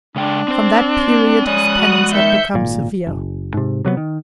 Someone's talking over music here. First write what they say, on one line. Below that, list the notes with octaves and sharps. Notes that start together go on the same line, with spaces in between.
From that period his penance had become severe.
C#3 G#3 D4 G5
C4 C5
G#3 C#4 D5 D#6 F#6
F#4
D#3 E5 G6 C#7
G#1 A#2
F#1
G#2 C3
C3 F#3 G3 B3
D#3